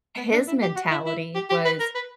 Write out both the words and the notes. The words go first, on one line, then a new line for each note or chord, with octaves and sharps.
his mentality was,
B3
D4
E4
G4
F#4
E4
E4
G4
G4
B4
A#4
B4